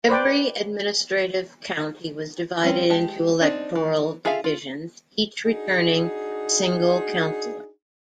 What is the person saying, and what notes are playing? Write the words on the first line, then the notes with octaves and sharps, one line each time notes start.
Every administrative county was divided into electoral divisions, each returning a single councillor.
B4 C5 D5 G5
G3 C4 C#4
G#3 G4 A5
C4 D4 D#4
E3
F4 G#4 A4 E5 F5
F4
D4 D#4 F#4 G#4